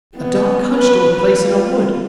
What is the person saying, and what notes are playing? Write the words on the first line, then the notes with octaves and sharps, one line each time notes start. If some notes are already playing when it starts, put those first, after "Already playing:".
A dark hunched old place in a wood.
B3
B4
F4